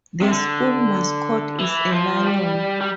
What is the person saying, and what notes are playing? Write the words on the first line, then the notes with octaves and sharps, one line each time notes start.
The school mascot is a lion.
C3
D3
E3
F3
G3
G3